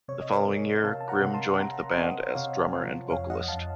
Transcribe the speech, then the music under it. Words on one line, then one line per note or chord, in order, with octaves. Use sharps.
The following year, Grimm joined the band as drummer and vocalist.
C3 C#5
D#5
A#4 C#5
C3
C3 F5 A5
A5
F#5 A#5
C3
A5 C6
C3 F#5 A#5
C4 D#5 F#5
C3 C#5 F5
F3
F2 C#5 F5
D#5 F#5
F2 F5 A5